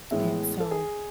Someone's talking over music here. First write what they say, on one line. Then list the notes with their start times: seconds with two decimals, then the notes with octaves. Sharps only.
And so,
0.11 A2 E3 G#3 B3 E5
0.60 A4
0.71 G#4